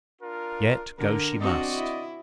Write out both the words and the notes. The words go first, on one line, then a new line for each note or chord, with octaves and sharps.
Yet go she must.
D4 F4 A#4
D3 A#4
C4 D4 F#4 D5 D#5
E4